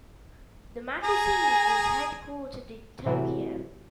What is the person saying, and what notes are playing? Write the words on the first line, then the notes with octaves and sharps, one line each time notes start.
The magazine is headquartered in Tokyo.
G#4 G#5 A#5
A2 C3 E3 F#3